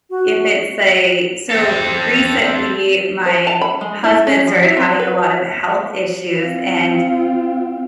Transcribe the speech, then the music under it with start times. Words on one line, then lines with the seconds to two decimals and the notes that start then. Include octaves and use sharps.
if it's a So, recently, my husband started having a lot of health issues and
0.10 F#4
1.50 C4 A4
3.26 C5
3.47 A5
3.61 B5
3.81 G#3
4.04 E4
4.27 C#4
4.47 F3
4.63 E4
4.77 C4
4.99 B4
6.42 C4 F4